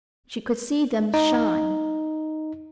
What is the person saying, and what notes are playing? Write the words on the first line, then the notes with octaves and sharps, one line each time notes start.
She could see them shine.
D#4